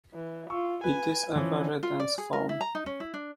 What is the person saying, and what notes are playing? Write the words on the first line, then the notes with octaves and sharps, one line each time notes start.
It is a very dense foam.
E3
F4 C#6 E6
B4 G#5
E3 F3 C#4
F4
D5
G#4
A#4
E4
A#5
D#4
C#4
E4
D4